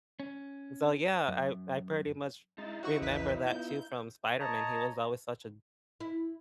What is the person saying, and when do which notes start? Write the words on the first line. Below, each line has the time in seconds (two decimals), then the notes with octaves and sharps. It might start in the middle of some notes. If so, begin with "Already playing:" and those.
So, yeah, I I pretty much remember that too from Spider-Man. He was always such a
0.20 C#4
1.28 F#2
2.58 G#3 D#4 E4 C6 A6
2.83 F#4 G4 C5 F#5 C#6
3.02 A#1 E2 E3 B4 C#5 B6
3.47 B3 F4 G6
4.40 C#5 D#5 A5 A#5
6.00 E4